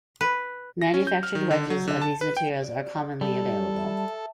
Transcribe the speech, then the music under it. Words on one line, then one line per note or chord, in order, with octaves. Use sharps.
Manufactured wedges of these materials are commonly available.
B4
A#6
C#4
G6
F6
D#3
D3
F#3
D3
A5
B4
G5
D5
G3 G4 A4
E5 A5